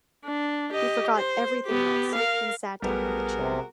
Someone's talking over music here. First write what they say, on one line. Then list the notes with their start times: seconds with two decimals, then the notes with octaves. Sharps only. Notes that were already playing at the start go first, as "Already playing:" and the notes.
He forgot everything else, and sat down in the chair.
0.25 D4
0.73 G4 D#5
1.16 C5
1.66 B3 G4
2.15 A#4 F5
2.82 A#1 G3 A3 B3 F#4 G#4 A#4
3.36 C3